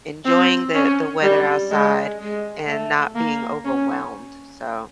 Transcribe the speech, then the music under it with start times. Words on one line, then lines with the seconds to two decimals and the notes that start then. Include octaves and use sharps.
enjoying the the weather outside, and not being overwhelmed. So
0.25 C4
0.74 C#4
1.22 G3
1.71 G#3
2.19 G#3
2.68 A3
3.15 A#3
3.65 C#4